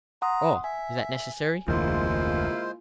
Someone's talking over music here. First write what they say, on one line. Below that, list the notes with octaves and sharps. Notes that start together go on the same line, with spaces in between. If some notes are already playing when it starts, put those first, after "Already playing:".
"Oh, is that necessary?"
F#5 A#5 C6 D#6
E5 G#5
F1 D2 E3 G#3 A#3 E4 F4 C5